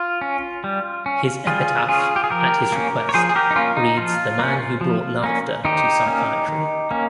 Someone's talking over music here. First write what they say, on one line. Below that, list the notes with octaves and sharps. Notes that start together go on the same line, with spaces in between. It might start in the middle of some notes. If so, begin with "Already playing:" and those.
His epitaph, at his request, reads the man who brought laughter to psychiatry.
Already playing: F4
C#4
G3
C#4
G3 F4 G#4
C#4 F4 G#4
G4
G#4
F3 G4 A#4
A#3 C#4
C#5
F3 G#4 C5
G#4
G4 A#4
D#4
A#3 C#4 F4
D#4
F3 F4
A#3 C#4
F3
A#3 C#4
D#3 D#4 G4
A#3 C#4
D#3
A#3 C#4